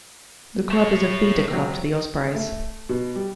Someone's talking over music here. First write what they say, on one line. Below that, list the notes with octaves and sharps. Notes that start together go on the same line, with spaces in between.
The club is a feeder club to the Ospreys.
A3 C#5
C3 F#3
A3
B2
G3